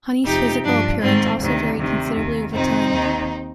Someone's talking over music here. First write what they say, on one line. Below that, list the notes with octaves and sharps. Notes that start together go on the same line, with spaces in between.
Honey's physical appearance also varied considerably over time.
F2 C3 F3 D#4 G4
G2 F3 D4
G#2 D#3 C4
D2 C3 D#3
D2 C3 D#3
D#2 D#3
F2 C3 D#3 C4 D#4
D#2 D#3